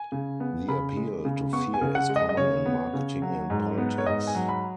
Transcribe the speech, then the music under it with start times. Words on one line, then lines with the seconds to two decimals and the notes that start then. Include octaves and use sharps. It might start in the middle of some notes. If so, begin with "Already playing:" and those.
The appeal to fear is common in marketing and politics.
Already playing: G#5
0.12 C#3
0.40 B3
0.68 C#3 B5
0.97 G#3
1.25 C#3
1.53 B3 C#6
1.74 G#5
1.81 C#3
1.95 F#5
2.09 G#3
2.16 D#5
2.29 D#5
2.37 C#3 C#5
2.66 B3
2.93 C#3
3.22 F#3
3.50 G#2
3.78 B3
3.98 C#5
4.06 G#2 D#5
4.27 G#5
4.35 F#3
4.49 B5